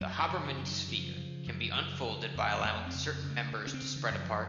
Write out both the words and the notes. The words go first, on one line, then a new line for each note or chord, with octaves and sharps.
The Hoberman sphere can be unfolded by allowing certain members to spread apart.
F#2 F#3
D#3
F3
C#3
D#3
F#2 F3
D#3
C#3 F3
C#3
F#2
C#3
C#3
F2
F#3
F2 A3
C4
C#3
C#3
A3
C#3
C#4
C4
C#3
D#3
F#2 D#3
F3